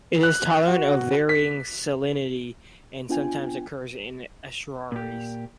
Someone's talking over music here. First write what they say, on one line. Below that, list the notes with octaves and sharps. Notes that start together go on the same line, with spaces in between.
It is tolerant of varying salinity and sometimes occurs in estuaries.
F#6
F#4
B6
B3 D4 F4 G5 G#5
A#2 G4